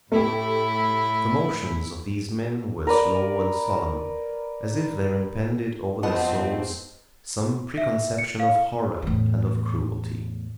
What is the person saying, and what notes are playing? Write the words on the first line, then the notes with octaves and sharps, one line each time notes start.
The motions of these men were slow and solemn, as if there impended over their souls some preconception of horror and of cruelty.
A2 A3 E4 G4
A#4 B4 D5
F2 B3 C4 F4 D#5 F#5 A5
E5
C#7
F5
E2 A2